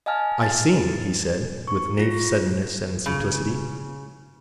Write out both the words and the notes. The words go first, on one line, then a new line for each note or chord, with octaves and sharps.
"I sing," he said, with naif suddenness and simplicity.
D#5 F5 G#5 A5 F6
A6
C#6
F4 A#6
C#3